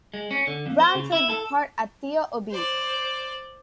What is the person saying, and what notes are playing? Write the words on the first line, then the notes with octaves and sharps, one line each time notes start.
Brown played the part at Theo Ubique.
G#3
C#4
D3
F2
C5
C#3
E4
A4
C5 D5